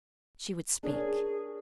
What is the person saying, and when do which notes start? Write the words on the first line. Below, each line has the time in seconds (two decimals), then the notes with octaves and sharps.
She would speak.
0.83 D4 G#4 A#4 C#5